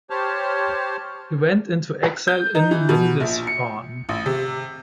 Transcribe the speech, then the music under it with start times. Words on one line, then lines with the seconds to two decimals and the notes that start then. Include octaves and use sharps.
He went into exile in Lindisfarne.
0.10 G4 C5 C#5 A5 F6
2.28 G6
2.55 D#4
2.71 E3
2.89 B2
3.20 A#1
3.47 C#7
4.09 A1
4.26 C3